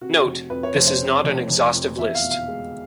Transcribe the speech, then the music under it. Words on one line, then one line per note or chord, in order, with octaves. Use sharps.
Note: This is not an exhaustive list.
C3 F#4
F1
F2 B4
C#5
F1 C5
C5
C3
F1
F1
F2
E2 E5
F5
B2
F5
G#3